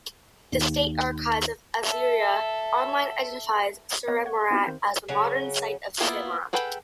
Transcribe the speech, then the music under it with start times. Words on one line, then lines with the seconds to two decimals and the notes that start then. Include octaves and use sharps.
The State Archives of Assyria Online identifies "Surimarrat" as the modern site of Samarra.
0.52 D#2
1.83 A4 E5
4.08 A#3 B3 B4 C#5 D#5 F5
4.26 F#5 G#6
4.51 B3 C4 D#4 E4 F#4 G4
4.66 D#3 C4 C5 F5 B5
5.08 C#3 F#3 C#4
6.00 A#3 B3 E4 F4
6.53 G#4 A4 B4 F#5 G5